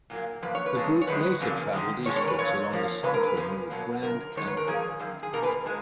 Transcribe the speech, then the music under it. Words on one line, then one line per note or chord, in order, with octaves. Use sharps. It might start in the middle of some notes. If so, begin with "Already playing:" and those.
The group later traveled eastwards along the South Rim of the Grand Canyon.
A#2 F#3 A#3
F#2 F3 A#3 B4
C#5
B4
F2 C#3 G#3
C#5
F#2 D#3 G#3 B4
F2 C#3 F#3 A#3
G#2 D#3 G#3
B2 G#3 C#5
C#5
A#4
B4
A#2 F3 C#5
F2 F3 A#3
A#2 G#3 B4
A#4
B4
F2 C#3 F3
B2 F#3 A#3
F#2 C#3 A#4
G#2 D#3 G#3 C#5
B4
A#4
A#2 F3 A#3 G#4
F#2 D#3 A#3
G#4
B2 A#3 A#4
B4
A#2 G#3